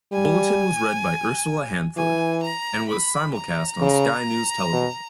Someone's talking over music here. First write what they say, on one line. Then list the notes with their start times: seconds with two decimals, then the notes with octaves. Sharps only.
The bulletin was read by Ursula Hansford, and was simulcast on Sky News television.
0.12 G3 G#5
1.97 E3 G#5
2.43 A#5
2.89 B5
3.35 A#5
3.81 C#3
4.73 B2